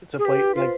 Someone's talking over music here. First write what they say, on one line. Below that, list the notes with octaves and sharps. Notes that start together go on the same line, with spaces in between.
to play, like,
G#4
G4 B4
F4 C5